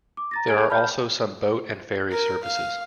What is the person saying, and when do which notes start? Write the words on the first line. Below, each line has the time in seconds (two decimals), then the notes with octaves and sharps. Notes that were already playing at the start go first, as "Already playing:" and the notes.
There are also some boat and ferry services.
0.17 D6
0.31 A#5 A6 A#6
0.48 G#4 G#5 G#6 D7
0.69 A5 B5 F6 G6
2.11 A#4
2.44 F5